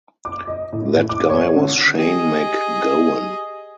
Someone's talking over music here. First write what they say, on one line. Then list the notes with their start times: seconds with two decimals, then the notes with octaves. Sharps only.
That guy was Shane MacGowan.
0.25 D6
0.47 D#5
0.73 A2
0.94 A2
1.09 D6
1.29 C#5
1.56 D3
1.99 G4 G#4 D#5